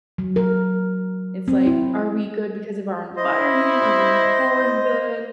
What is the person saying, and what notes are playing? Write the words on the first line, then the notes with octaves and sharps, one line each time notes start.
It's like, are we good because of our environment or were we born good?
F#3
A#4
C4
E4
E4 C5 D#5